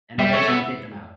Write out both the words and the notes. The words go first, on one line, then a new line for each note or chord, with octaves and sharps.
and eventually we kicked them out.
G3 E5 G5
A3 C#5 E5
B3 E5